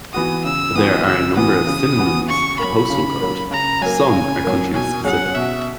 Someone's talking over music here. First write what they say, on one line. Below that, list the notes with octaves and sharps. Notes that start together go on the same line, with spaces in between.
There are a number of synonyms for "postal code"; some are country-specific.
E3 B3 F#4 D#6
C#3 E6
E3 B3 F#4 D#6
C#3 E6
E3 B3 F#4 D#6
C#3
E3 B3 F#4
C#3 C#6
F#3 A#3 B5
C#3
F#3 A#3
C#3 A#5
F#3 A#3 G#5
C#3
F#3 A#3
B2 G#5
F#3 C#4 G#4 F#5
B2 E5